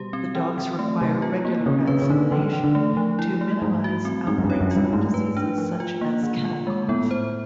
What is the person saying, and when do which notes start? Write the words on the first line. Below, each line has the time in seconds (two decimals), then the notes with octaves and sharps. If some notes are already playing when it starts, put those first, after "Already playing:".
The dogs require regular vaccination to minimize outbreaks of diseases such as kennel cough.
Already playing: B2 G3 G4
0.13 C4
0.35 E3
0.58 E3
0.79 A3
1.01 C3 F#3
1.22 F4
1.45 A#3
1.66 C#3 C4
1.87 C#3 B4
2.02 C#3
2.10 D3 D#4
2.31 D3 E3
2.53 E3
2.64 D3
2.75 A3
2.97 F3
3.19 E4
3.41 A3
3.62 G#2 G3
3.84 F#4
4.05 C4
4.27 G#2 C4
4.38 F#2
4.44 G2
4.50 C#5
4.61 F#2
4.71 F4
4.77 G2
4.93 G#2 A3
5.14 B4
5.37 D4
5.58 F3
5.80 F4
6.01 A#3
6.23 D#3
6.45 F4
6.67 G#3
6.89 A2 B3
7.11 C5